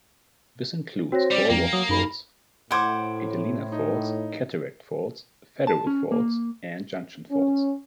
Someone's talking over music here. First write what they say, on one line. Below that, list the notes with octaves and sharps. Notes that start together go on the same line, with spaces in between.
This includes four waterfalls: Adelina Falls, Cataract Falls, Federal Falls and Junction Falls.
C4 F#4 C#5 A#6
G3 D5 D6 D7
F2 A#3 G5 A#5
F#3 D#6
F#2 D#4 B5
A2 C5 F#5 D6 G#6 D7
D#4
A5
C#4
A#3
C#4